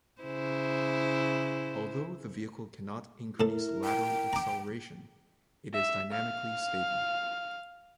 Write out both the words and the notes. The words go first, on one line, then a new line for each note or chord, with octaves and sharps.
Although the vehicle cannot increase lateral acceleration, it is dynamically stable.
C#3 E4 C5
A2 E4 A4 A#4
G5
A#5 D6
E5
F5